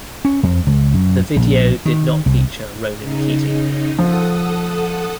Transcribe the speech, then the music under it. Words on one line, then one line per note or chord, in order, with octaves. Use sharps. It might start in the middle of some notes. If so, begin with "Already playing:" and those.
The video did not feature Ronan Keating.
C#4
F2
C#2
F#2
A#1
D#3
C2
C#3 D#4
F3 A4 F#5 D#6